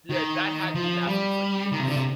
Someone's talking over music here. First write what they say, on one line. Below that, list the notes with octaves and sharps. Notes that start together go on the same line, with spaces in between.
yeah, that had me laughing for days.
D#3
F3
G3
D#3
C3
D3
C3